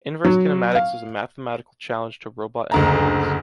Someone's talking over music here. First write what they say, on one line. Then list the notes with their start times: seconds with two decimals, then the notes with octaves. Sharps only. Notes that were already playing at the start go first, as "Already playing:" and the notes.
Inverse kinematics is a mathematical challenge to robot engineers.
0.24 F#3
0.75 F5
2.72 F#1 D2 A#5